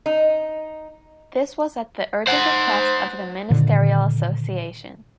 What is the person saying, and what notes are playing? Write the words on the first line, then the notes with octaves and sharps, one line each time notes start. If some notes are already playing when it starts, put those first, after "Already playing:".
This was at the urgent request of the Ministerial Association.
D#4
C5 F#5
A#2 D3 D#3